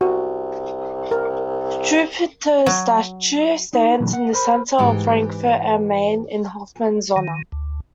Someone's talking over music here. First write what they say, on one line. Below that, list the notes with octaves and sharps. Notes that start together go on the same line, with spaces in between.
Struwwelpeter's statue stands in the center of Frankfurt am Main, in Hoffman's honour.
C2 F#4
A#4
F#3
D#4
A#2 D3 E3 F#3
F#5
A#4 C5 B5
G#2 E3 G4
D#3
D2